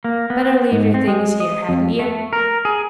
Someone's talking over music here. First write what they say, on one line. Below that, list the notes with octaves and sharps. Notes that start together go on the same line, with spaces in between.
Better leave your things here, hadn't you?
A#3
B3
G#2
C4
G#3
D#5
F2
A3
A#4
G#4